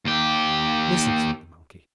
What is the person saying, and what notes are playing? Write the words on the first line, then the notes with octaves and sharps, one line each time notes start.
"Listen," said the monkey.
D#2 G4